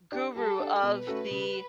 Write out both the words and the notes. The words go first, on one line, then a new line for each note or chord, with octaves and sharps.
guru of the
D4 G4
G3 A4
D4 G4
B2 B4
A3 C#4 F#4 A4
C#3